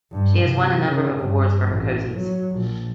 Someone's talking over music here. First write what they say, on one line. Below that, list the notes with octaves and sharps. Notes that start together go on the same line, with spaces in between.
She has won a number of awards for her cosies.
G2
C3
C#3
G2
A1
F#3
A#1